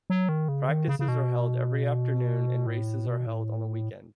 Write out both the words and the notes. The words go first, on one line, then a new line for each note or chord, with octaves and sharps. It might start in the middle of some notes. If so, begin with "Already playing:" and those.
Practices are held every afternoon and races are held on the weekend.
F#3
D#3
C#3
D#3
C#3
C#3
B2
A2
B2
A2